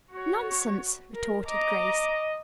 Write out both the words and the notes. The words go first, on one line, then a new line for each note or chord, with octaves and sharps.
"Nonsense," retorted Grace.
F#4 C#5
A#4
D#5 A#5 D6